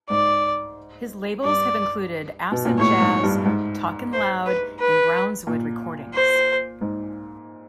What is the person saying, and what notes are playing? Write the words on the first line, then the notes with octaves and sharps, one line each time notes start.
His labels have included Acid Jazz, Talkin' Loud, and Brownswood Recordings.
G#2 D5
G2 D5
B2
A#2
A2 C#5
G#2
G2
G#2
C5
B4
B4
A#2
C5
G#2